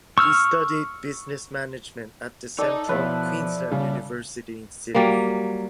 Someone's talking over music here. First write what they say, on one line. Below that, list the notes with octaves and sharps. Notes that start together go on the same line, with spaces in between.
He studied business management at the Central Queensland University in Sydney.
C#6 E6 F6
D#4 A4 D5 D#5
B2 F3 E4 B4 C#5
C#3 G3
F#3 G3 A#3